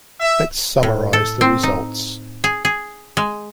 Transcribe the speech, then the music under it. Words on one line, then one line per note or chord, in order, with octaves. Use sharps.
Let's summarize the results.
E5
A2
A4
C4
D#4
G#4
G#4
G#3